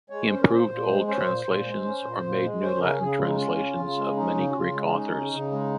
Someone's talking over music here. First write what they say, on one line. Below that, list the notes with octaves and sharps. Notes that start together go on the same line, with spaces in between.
He improved old translations, or made new Latin translations, of many Greek authors.
G#3 C#5
C#4 C5
A#4
A#2 C5
A#2
G#3
C#4 C5
A#2
A#2
G#3
C#4
A#2
A#2
G#3
C#4 C5
C#3 A#4
C#3 G#4
G#3 F4
D#4
C#4 F4
C#3
C#3
G#3
C#4 D#4
C#3
F#4
C#3 F4
G#3
F4
C#4 D#4
C#3
C#3
G#3